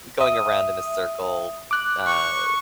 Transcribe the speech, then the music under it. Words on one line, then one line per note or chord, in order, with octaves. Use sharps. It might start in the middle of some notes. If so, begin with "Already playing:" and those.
going around in a circle, uh,
E5 D#6
D6 F#6
C#6